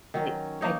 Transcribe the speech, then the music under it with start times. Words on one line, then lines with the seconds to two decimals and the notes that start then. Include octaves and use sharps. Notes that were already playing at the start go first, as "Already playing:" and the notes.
I I
0.14 D#3 F#3 C#4
0.61 A#3 D#4 A#4 C#5